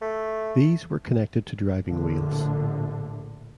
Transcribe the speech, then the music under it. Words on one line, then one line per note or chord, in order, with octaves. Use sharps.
These were connected to driving wheels.
A3
A#1 A2 D3